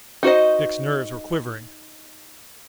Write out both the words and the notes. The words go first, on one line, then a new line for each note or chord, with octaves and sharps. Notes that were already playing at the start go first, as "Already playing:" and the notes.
Dick's nerves were quivering.
D#4 F#4 C5 D#5